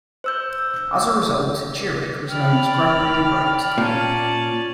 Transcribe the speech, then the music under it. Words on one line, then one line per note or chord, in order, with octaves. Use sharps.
As a result, Giric was known as Gregory the Great.
C5 E6 G6
D5 G5 B5 F6
A#2 C#4 D5 A5